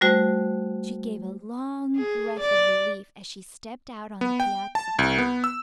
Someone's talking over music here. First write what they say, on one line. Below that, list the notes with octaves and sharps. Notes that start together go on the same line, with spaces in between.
She gave a long breath of relief as she stepped out on the piazza.
G3 A3 F#4 C5
G#4
D5
B3
G5
A5
C2
B3
E6